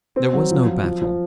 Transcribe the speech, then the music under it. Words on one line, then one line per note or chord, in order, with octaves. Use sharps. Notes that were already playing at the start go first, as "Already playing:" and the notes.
There was no battle.
C4
F#3
F3
F3
F3
F3